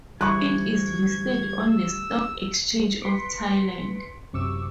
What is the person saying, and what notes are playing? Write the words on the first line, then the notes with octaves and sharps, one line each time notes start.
It is listed on the Stock Exchange of Thailand.
D2 E3 G3 C#6 F#6 G#6
E6
B4 C6 B6 C#7 D7
A1 F#2 C3 C#6 D6 E6